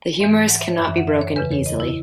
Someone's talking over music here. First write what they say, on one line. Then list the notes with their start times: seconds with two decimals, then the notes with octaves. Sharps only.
The humerus cannot be broken easily.
0.20 G#2 E3 E5
0.49 F#5
0.59 E5
0.68 C#5
0.78 F#2 E3 E5
0.88 E5
0.97 F#5
1.07 E5
1.21 C#5
1.36 E2 C#3 E3 B4
1.51 C#5
1.66 D#5
1.80 E4